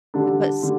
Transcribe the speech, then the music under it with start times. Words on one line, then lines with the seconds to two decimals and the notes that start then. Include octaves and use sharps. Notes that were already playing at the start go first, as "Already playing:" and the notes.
I put s
0.14 D3 G3 D4 A4
0.63 D3 G3